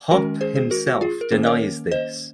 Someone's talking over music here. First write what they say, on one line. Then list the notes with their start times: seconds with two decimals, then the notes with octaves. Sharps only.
Hopp himself denies this.
0.10 D#3 G#3 C#4 F#4 A#4
0.41 G#4 C5
0.55 G#4 C5
0.71 F#4 A#4
0.87 F#4
1.01 F4 G#4
1.21 A#4
1.31 D#3 A#3 C#4 G#4 C5
1.43 D#5
1.46 A#4 C#5
1.91 C5 D#5